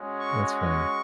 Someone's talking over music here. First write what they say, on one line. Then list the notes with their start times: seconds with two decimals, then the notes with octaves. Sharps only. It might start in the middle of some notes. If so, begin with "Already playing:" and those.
That's funny.
Already playing: G#3 C#4 F#4
0.19 C#6
0.51 C#6